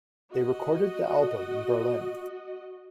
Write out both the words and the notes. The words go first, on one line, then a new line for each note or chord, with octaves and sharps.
They recorded the album in Berlin.
F#4 D#5